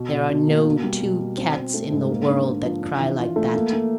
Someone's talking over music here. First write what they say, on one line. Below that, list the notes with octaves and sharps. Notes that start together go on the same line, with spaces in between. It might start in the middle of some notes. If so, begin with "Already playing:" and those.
There are no two cats in the world that cry like that.
Already playing: B2
B2
B2
A#3
B2
G3
B2
B2
C4
C4
A3
G#2
A#3
D3
D3
F3
D4
E3
F4
A3
A#3
A#3